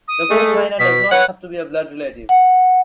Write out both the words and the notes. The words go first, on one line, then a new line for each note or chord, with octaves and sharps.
The co-signer does not have to be a blood relative.
D#6
G#3 A3
B2 B6
B4 C#5 F#5
F#5